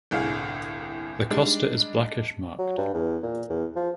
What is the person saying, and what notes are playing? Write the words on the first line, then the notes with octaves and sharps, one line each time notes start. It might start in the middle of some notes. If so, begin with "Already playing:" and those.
The costa is blackish marked.
G1 C2 A2 G#4 F5
G3 G#3 D4 D#4
F#3
G2
E2
A#2
E2
F3